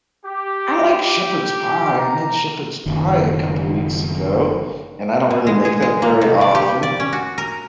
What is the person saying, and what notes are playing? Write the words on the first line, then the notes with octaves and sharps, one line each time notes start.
I like shepherd's pie, I made shepherd's pie a couple weeks ago, and I don't really make that very often,
G4
A#5
F#1 D#3
B2
G#3
G#4
G#3
A#3
C3
D5
G4
D5
C#4
F#4
A#4